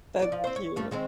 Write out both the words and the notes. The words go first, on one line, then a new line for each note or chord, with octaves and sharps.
That's cute.
E2 D5
F3
C4 C5
C#5
G2 A3 C#4
D#3 G#3 C4